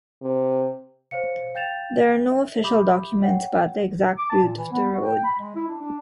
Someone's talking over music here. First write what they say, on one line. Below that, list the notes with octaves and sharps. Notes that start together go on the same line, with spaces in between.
There are no official documents about the exact route of The Road.
C3
C5 C#5 F5 C#7
F5 G5 G6 A6 E7 F7
E5
G4 E5 B5 D6 D#6 G6
C#5 F#5 G5
D6
A5
A#2
E3
B3
F#4
G5
B5
G#3
E4
D4
D4